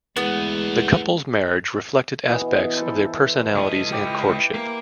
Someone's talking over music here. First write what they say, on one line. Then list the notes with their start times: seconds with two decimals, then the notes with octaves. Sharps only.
The couple's marriage reflected aspects of their personalities and courtship.
0.17 E2 G#3 A3 B3 D4
2.27 B2 E3 D#5
2.76 E4 A4 C5
3.55 C#2 D#5
3.92 E4 G4
4.54 A#3